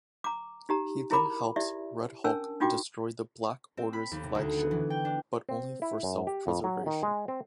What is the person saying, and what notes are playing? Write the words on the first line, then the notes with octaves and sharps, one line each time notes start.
He then helps Red Hulk destroy the Black Order's flagship, but only for self-preservation.
A#5 D6
D#4 G4 A#5
E4 G#4 A#4 A#5 B5 D6
E4 G4 D5 E5
C#4 D4 A#4 G#5 A5 E6
D4 D#4 F4 F#4 G5 D6
C4
B5
D#2
C3
D2
B3
E3
G5
D4
C4
E4
F#2
G4
F2
F#3
D#3
G#3
C4